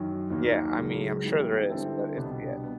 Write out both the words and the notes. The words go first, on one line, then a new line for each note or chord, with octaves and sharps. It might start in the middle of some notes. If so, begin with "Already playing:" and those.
Yeah, I mean, I'm sure there is, but it's Yeah.
Already playing: F#2 D#3 F#3
D#2 D#3 F#3 A#3
C#2 C#3 F#3
G#2 E3 G3 B3
D3 G3 C4 E4 A4
C2 B2 G3 B3 D4
B3